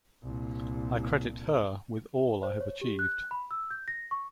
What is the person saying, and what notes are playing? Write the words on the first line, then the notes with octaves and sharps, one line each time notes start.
I credit her with all I have achieved.
C2 A#2
C5
C#5
G4
F#6
B5
E6
G6
A#6
C#6